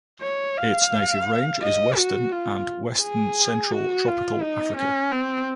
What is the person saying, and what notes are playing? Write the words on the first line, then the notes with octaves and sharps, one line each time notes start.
Its native range is western and western central Tropical Africa.
C#5
F5
D#5
F#4
F4
G#4
F#4
F4
D#4
C#4
C4